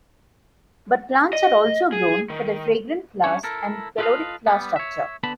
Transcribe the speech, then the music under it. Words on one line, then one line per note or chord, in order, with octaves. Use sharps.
But plants are also grown for their fragrant flowers and peloric flower structure.
D#5
G#4
D#3
G3 C#4 D4 C#5
E4 A4 A#4
F4 A4 B4 C5 D#5 F5
G3 B3
C#5 E5
D3 B3 A5 B5